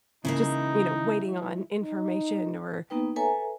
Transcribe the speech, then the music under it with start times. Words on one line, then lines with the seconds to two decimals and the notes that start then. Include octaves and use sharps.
just, you know, waiting on information or,
0.25 C#3 E3 G#3 A#3 D#4 E4
1.82 D#4
2.90 A#3 B3 D#4 B4 G5
3.16 A4 B4 C#5 E5 G#5 A#5